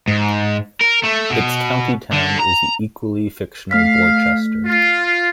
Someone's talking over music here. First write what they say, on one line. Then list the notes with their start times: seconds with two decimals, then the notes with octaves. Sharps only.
Its county town is the equally fictional Borchester.
0.08 G#2
0.81 A#4
1.03 A3
1.31 B2
2.13 D3
2.40 A#5
3.71 A3 F5 F6 B6
4.65 F4